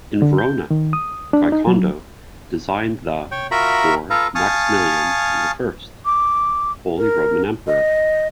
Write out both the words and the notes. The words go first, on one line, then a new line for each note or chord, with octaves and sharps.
In Verona, Giocondo designed the for Maximilian the First, Holy Roman Emperor.
D3
G6
D#3
D#6
D4
D#4
F#3
C#5 G5
F4 F#4 A#4 E5 A#5 B5
F4 A4 B4 F5 A#5
F5 G#5 A5 C#6 D#6 F6
D6
A#4
D#5